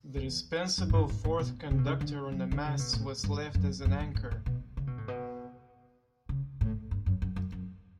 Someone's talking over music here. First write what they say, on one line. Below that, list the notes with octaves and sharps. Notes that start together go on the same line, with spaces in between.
The dispensable fourth conductor on the masts was left as an anchor.
E2
F#2
A2
G2
A2
A2
B2
C#3
B2
C#3
D3
F#3
D3
C#3
B2
A2
G2
F#2
F#2
G2
A2
A2
B2
C#3
B2
A2
B2
C#3
A2
G2
F#2
F#2
F#2
F#2